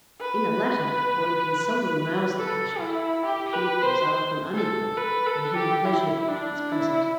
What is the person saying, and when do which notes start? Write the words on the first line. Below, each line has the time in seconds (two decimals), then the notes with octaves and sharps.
In the latter one can seldom rouse the patient, the pupils are often unequal, and hemiplegia is present.
0.21 B4
2.38 A4
2.80 E4
3.25 G4
3.53 B4
3.82 C5
4.54 A4
4.97 B4
5.26 A4
5.56 G4
5.85 E4
6.28 D4
6.72 E4